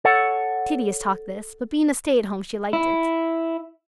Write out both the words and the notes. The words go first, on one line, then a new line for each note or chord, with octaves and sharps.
Tedious talk this, but being a stay-at-home she liked it.
A4 C#5 F#5
E4